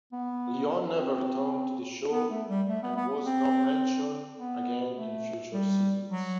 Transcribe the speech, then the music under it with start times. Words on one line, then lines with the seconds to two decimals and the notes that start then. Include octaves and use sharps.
Leon never returned to the show and was not mentioned again in future seasons.
0.12 B3
0.97 C4
2.11 B3
2.30 A3
2.49 G3
2.69 A3
2.83 B3
2.97 B3
3.25 C4
4.40 B3
4.96 A3
5.53 G3
6.10 F#3